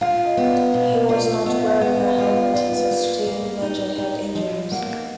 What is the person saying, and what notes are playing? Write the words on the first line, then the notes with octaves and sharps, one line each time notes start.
He was not wearing a helmet and sustained major head injuries.
F4 F5
D#5
B3
D5
B2 B4
F4 D5
B3 D#5
F5
B3 F#5
F5
F4 D#5
F5
F4 D5
B4
A#3
A#3
D#4
D#4
F3 D#5
A#3 F#5